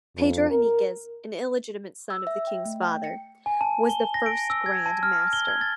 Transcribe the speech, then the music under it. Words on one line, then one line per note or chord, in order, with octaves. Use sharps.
Pedro Henriques, an illegitimate son of the King's father, was the first grand master.
F2
A#4
E6
E5
G5
A3
G5
C#7
G#5
A5
G7
A#6
D7
E6
G#6
A5
F6
G7
G#6
A6